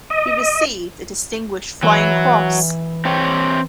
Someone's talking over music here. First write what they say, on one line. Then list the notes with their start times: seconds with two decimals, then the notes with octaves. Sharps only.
He received a Distinguished Flying Cross.
0.10 D#5
1.83 E3 F#3
3.05 C4 G4 C#5